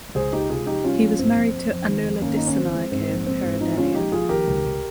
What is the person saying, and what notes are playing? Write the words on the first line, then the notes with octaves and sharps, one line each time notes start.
He was married to Anula Dissanayake of Peradeniya.
C#2 G#4 C5
G#3 D#4 G4
C3 F4 G#4
F3 D#4 G4
G3 C#4 F4
A#1
G#2 C4
A#1
F2
F2
D#3
F2
G#1 A#3 C#4
G#1 D#4
C#4
F3 C4
G#3
G#2 C4
A#1
G#3 C4
G#2
F3 C4 D#4
G#3 C#4 F4
A#1 D#4 G4
A#1 F4 G#4
D#3 G4 A#4
C#2
C#2